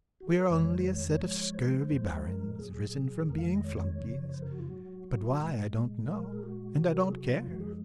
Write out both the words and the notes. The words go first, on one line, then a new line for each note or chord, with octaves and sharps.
We are only a set of scurvy barons, risen from being flunkeys, but why I don't know and I don't care.
F#4
G#4
A#4
C5
F2 D#3 G#3 C#5
C5
C#5
G#2 F3 G#3
C5
F#2 F3 G#3
A#4
A#4
A#2 F#3 G#4
F2 D#3 G#3 A#4
F5
D#5
C#5
F#2 C#3 F3
C#5
C5
A#4
F#4
F4
G#2 F#3 F#4
A#2 G#3
A#2 G#3 A#4
G#4
F#4
C3 F#3
A#4
G#4
F#4
F4
F#2 F3 G#3 F#4
G#4